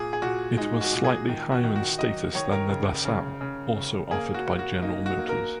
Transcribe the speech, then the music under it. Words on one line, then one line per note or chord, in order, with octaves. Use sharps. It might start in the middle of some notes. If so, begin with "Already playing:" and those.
It was slightly higher in status than the LaSalle, also offered by General Motors.
Already playing: A#2 G#4
G#4
A#2 F#4
G#3 D#4
F#4
A#2
G#4
D#3
F#4
D#3
F#4
F#3 D#5
D#3 C#5
A#4
C#3
C#3
C#3
C#3
A#3 G#4
F#4
A#3
F#4
A#3 D#4
F#4
A#3
A#4